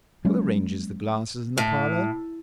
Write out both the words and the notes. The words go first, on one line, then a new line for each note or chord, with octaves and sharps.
Who arranges the glasses in the parlor?
F#3 G#3 A#3 C#4
A2